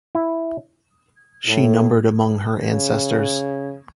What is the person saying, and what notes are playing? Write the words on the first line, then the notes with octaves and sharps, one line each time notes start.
She numbered among her ancestors.
E4
A2
C#3